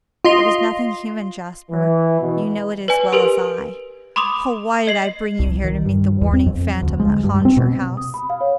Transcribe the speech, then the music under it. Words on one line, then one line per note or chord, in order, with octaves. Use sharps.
"It was nothing human, Jasper; you know it as well as I. Oh, why did I bring you here to meet the warning phantom that haunts your house!"
F4 D#5 C6
E3
B2
B4 D5 G#5
G4 A#4 B4 D7
B5 C6 D6 D#6 F7
D#5 C7 F#7
C2
D#3
G2
E2
C4
F2
D2
G#3
G2
C4
B2
D#6
B5
F5
C#5